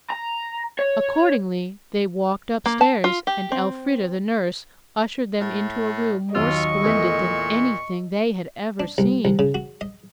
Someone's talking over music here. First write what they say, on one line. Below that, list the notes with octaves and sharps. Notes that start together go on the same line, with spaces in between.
Accordingly, they walked upstairs, and Elfrida, the nurse, ushered them into a room more splendid than anything they had ever seen.
A#5
C#5
A#3
A5
F4
G4
C4
A2
D#2 F#3 F4 D#5 C#6 E6
E2 A#2 A3
D4
C2
C2
C#3
F#4
D#5